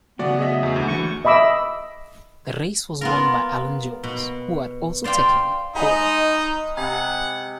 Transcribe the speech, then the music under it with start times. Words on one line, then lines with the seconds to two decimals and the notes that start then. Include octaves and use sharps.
The race was won by Alan Jones, who had also taken pole.
0.19 A2 C#3 F#3 B3 F#4 D5 F#5
0.39 G#4 D#5 E5
0.63 E2 F#4
0.76 D2
0.88 E3 A3 C#6
1.25 D#5 E5 B5 D6 E6
3.01 B3 F4 A#4
4.03 B2
5.04 C5 D5 F5 G5
5.76 G#3 D#4 B5
6.77 C3 F#5 G#5 B5